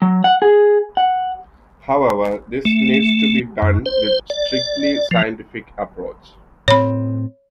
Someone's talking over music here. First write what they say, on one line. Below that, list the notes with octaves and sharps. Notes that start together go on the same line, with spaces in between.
However, this needs to be done with a strictly scientific approach.
F#3
F#5
G#4
F#5
A3
F#2
C5
D5
F3
A2 C4 C#5 B5